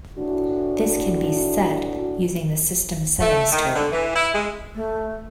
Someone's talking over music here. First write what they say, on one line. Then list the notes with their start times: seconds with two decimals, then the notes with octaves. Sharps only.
This can be set using the System Settings tool.
0.18 A2 E3 D4 F#4
3.20 A3
3.51 D#3
3.74 D3
3.92 E3
4.15 E4
4.34 G#3
4.75 A3